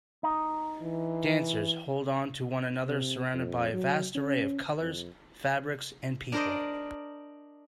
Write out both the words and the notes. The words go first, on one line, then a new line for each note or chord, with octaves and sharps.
Dancers hold on to one another surrounded by a vast array of colors, fabrics and people.
D#4
E3
C3
F2
F#3
C#4
F2
D4 A#4 C5 D5 D#5